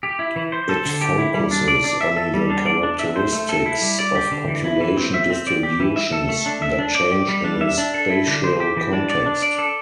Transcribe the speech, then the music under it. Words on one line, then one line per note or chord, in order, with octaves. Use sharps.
It focuses on the characteristics of population distributions that change in a spatial context.
G4
E4
E3
C5
A4
D3
G4
E4
G3
D4
D5
D4
E5
A4
G3
D4
D5
D4
E5
C5
A3
A4
E4
G3
D5
G4
D3
E3
E4
E3
C4
E5
C4
D5
G4
E3
E5
A4
A3
D4
E5
D4
D5
G4
G3
D4
E5
D4
A4
E4
D3
C5
G4
E3
D4
D5
D4
D5
A4